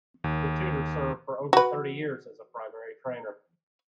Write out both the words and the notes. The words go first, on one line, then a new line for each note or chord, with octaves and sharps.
The Tutor served for over thirty years as a primary trainer.
D#2
F#4 B4